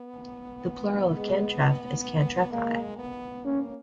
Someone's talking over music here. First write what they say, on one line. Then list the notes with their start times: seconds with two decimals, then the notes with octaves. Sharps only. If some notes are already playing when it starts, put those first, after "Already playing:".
The plural of "cantref" is "cantrefi".
Already playing: B3
1.13 G#3
2.52 G#3 A#3
2.98 B3
3.45 A#3 C#4